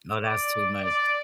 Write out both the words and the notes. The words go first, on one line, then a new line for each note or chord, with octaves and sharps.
No, that's too much
D5
D5